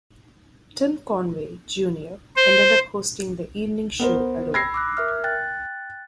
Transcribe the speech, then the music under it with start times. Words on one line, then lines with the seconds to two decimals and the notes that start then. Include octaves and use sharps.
Tim Conway, Junior ended up hosting the evening show alone.
2.36 C5
3.99 B3 A#4 C5
4.54 B5 E6 G#6 A#6 C7
4.74 D6 E6 F#6
4.97 A#4 E5 F6
5.24 G5 F#6 A6